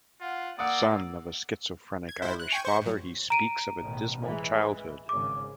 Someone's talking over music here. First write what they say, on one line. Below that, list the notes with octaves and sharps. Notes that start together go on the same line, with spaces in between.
The son of a schizophrenic Irish father, he speaks of a dismal childhood.
F4 F5 F#5
A#3 D5 F#5 D#6 E6
G#6
E4 C5
F#6
G5 G#5 C#6
C5 C#6 C#7
G#2 F#3
A#5 D7 D#7
A1 B2 D#3
E3 G#3
G#1 C#3 D6